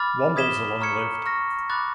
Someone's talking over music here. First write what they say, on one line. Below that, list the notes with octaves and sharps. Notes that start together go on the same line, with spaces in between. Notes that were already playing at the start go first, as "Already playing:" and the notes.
Wombles are long-lived.
Already playing: B5 D6 F6 A6
D#6 G#6 B6 E7 G7
A#5 C#6 F6 G#6 C#7
C#6 F6 A#6
B5 D6 F#6 A6